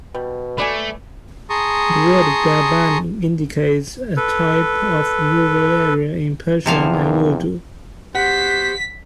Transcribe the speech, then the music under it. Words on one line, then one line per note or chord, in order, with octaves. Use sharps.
The word "Biabani" indicates a type of rural area in Persian and Urdu.
B2 G3
A3 B4 D5 G#5
G#4 A5 A#5 C6 C#6 D#6
A4 B4
E2 C3 F3 F5
B3 F#4 G4 C5 F#5 B6